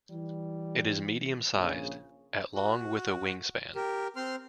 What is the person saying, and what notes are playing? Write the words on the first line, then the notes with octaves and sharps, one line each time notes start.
It is medium-sized, at long with a wingspan.
E3 G3
A#1 C#3
F#4
G4 A#4
C4 C5 C6 F6